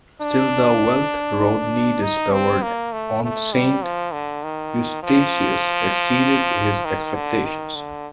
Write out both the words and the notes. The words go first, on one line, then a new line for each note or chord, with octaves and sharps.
Still, the wealth Rodney discovered on Saint Eustatius exceeded his expectations.
D4
D#4
C4
A#3
A3
A3
G3
F3
D3
D#3
F3
D#3
D3
D#3
D3